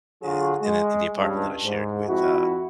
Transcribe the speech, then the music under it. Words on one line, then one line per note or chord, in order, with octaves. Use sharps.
in the in the apartment that I shared with, uh,
D3 F#3 F4 F#4 G#4
G#3
C#2 G2
G#2
F2 E4 F#4